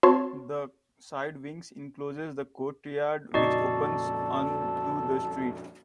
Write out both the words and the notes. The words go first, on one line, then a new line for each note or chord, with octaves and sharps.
The side wings enclose the courtyard, which opens on to the street.
C4 F#4 C#5 A5 C6
F2 A#2 C#3 D#4 F#4 A4 D5